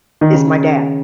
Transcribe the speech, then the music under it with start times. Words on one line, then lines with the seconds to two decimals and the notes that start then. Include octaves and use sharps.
is my dad.
0.21 D#3
0.33 C#3